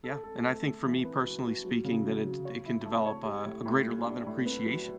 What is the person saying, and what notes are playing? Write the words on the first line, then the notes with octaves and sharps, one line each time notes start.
Yeah, and I think for me personally speaking, that it d it can develop a a greater love and appreciation,
A4
A4
A3
A3
E3
B3
F#4
F#4
F#3
C#3
F#3
F#3
C#5
E4
A3
C#5
G4
A2
A2
G3
D4
A2
B3
F#3